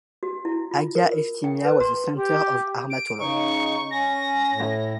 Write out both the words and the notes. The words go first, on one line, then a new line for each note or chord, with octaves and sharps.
Agia Efthymia was a center of armatoloi.
F#4
E4
F4
A#4
G5
B4
C6
G4
D7
C#3 D#4 C#6
C#4 A#6
A2